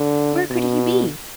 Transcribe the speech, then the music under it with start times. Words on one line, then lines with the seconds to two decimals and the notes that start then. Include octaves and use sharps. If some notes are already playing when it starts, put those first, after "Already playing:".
Where could he be?
Already playing: D3
0.50 B2